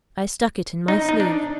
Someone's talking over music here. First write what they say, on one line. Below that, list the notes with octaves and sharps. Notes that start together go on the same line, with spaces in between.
'I stuck it in my sleeve.'
D#4
D#4
D4